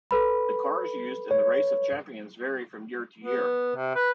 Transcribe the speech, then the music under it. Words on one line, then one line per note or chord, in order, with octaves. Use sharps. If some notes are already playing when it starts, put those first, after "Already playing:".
The cars used in The Race Of Champions vary from year to year.
A4 B4 B5
C#5
B3
C3
B4